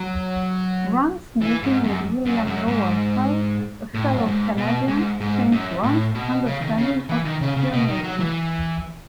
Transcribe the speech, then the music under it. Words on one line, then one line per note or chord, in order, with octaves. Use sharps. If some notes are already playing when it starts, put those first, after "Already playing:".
Rand's meeting with William Lovell Hull, a fellow Canadian, changed Rand's understanding of Zionism.
Already playing: F#3
E3
G#2
F#2
F#2
F#2
G#2
A2
F#2
G#2
B2
G#2
G#2
F#2
A2
B2
C#3
D#3
C#3
E3
D#3
C#3
C#3
B2
D#3
F#3
E3